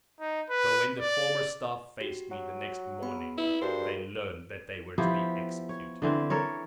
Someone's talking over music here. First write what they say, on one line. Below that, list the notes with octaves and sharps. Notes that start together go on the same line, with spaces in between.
So, when the former staff faced me the next morning, they learned that they were to be executed.
D#4
B4
D5
F#4 G4
F#3
B3 G#4 B5
E4 B4
G2 F#4 G#4 A#4 C5
F3 B3 E4 G4
C#5
D3 E3 C4
A4 A#4 C#5